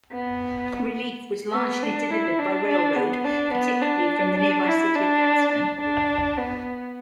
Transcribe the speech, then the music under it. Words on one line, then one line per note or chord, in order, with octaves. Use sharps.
Relief was largely delivered by railroad, particularly from the nearby city of Gadsden.
B3
B3
D4
E4
D4
D4
B3
D4
B3
D4
D4
E4
D4
D4
D4
B3